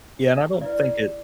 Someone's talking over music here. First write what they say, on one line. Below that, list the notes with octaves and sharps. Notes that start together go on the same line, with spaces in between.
Yeah, and I don't think it
E4 B4 D5